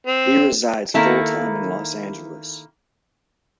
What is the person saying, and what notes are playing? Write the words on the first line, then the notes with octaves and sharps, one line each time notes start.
He resides full-time in Los Angeles.
C4
D#3 A#3 E4 A4